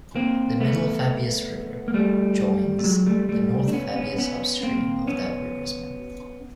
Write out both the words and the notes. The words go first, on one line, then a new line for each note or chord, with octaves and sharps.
The Middle Fabius River joins the North Fabius upstream of that river's mouth.
A#3 C4
A3 B3
A#3
G3 A3
A3
F#3 G#3
G3 A3
G3 A3
D4
B3 C#4
B3 C#4
B3 C#4
A#3 C4
B3 C#4